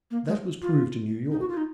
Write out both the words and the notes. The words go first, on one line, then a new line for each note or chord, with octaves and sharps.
That was proved in New York.
A#3
G#3
F4
D#4
F#4
F4
D#4